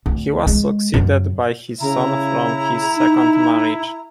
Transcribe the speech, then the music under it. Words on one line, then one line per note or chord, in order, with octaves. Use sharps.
He was succeeded by his son from his second marriage.
D2
G#3
F#2
C#3 E4 A#5
D#4